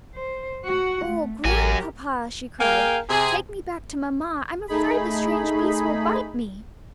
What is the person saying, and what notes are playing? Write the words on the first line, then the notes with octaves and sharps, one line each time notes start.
"Oh, grandpapa!" she cried; "take me back to mamma; I'm afraid the strange beast will bite me."
C5
F#4 F#5
A3
A1 F#3 G4 A#4 G#5
A#3 G#4 A#4 F5 G5 G#5
C3 G#4
A3 D#4 G#4 B5